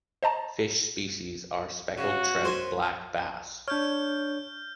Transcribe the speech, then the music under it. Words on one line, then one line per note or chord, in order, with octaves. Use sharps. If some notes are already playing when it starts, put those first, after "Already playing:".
Fish species are speckled trout, black bass.
C5 D#5 A5 A#5
C#3 F#4
F#2 C5 G#5
D4 C#5 F6 G6